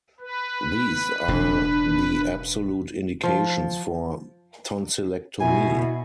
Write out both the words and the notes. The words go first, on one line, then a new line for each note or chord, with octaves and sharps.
These are the absolute indications for tonsillectomy.
B4
E1 A2 D4
F3
B2 E4 G#5